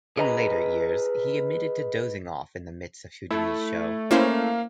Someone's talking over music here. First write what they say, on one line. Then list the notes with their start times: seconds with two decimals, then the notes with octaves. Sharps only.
In later years, he admitted to dozing off in the midst of Houdini's show.
0.17 G#4 B4 D#5 F#5 A#5
3.31 A3 E4
4.11 A#3 C#4 E4 C5 F5